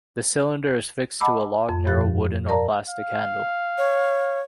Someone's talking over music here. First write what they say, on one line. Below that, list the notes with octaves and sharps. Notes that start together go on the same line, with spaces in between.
The cylinder is fixed to a long, narrow wooden or plastic handle.
D#5 F#5 A5 B5 D6 E6
G#5
F2
G2 A#2 F3 G4 F#6 A6
A#4 D5 F5 A5 A#5
F5
C#5